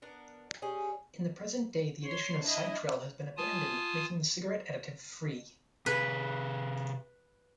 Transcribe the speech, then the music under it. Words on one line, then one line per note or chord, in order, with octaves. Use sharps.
In present day the addition of Cytrel has been abandoned, making the cigarette additive-free.
B3 D4 A#4
G3 C#4 G#4
C#5 C6
D4 E4 D#5
F4 G#5 A5 D#6
C3 G#4 B4